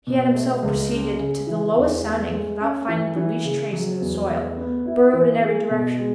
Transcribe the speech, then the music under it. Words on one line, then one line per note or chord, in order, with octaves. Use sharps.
He had himself proceeded to the lowest soundings without finding the least trace in the soil, burrowed in every direction.
B2
A3
C#2
C#4
C#3
E3
E2
A3
G#3
C#4
E3
E3
C#3
F#3
E2
A3
B3
E4
E3
G#4
B2
G#3